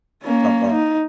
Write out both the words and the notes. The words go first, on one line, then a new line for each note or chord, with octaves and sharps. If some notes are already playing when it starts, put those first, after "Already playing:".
Talking about
A#3 C#4
D#4